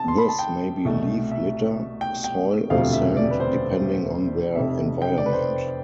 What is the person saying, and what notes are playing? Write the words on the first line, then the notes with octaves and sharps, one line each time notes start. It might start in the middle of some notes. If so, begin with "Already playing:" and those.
This may be leaf litter, soil or sand, depending on their environment.
Already playing: C3 A5
C6
B5
A5
G5
C2 B2 A3
E5
G5
G5
E1 D2 C3 F3 A3 F5
E5
D5
B4
C5
F1 F2 C3 E5
G5
D5
B4
C5